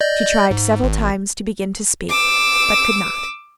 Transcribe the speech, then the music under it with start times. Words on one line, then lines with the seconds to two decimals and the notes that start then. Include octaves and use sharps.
She tried several times to begin to speak, but could not.
0.01 D5 D#5 G6
0.51 G#2
0.83 G#1
2.09 D6 E6